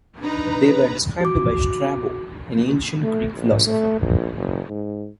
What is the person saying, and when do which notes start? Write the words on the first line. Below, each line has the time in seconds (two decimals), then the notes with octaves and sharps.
They were described by Strabo, an ancient Greek philosopher.
0.20 D4 D#4 B4 A#5
1.21 F#4 D6
3.03 A3
3.36 A#1
3.66 A3
4.01 A#1
4.36 F#1
4.69 G#2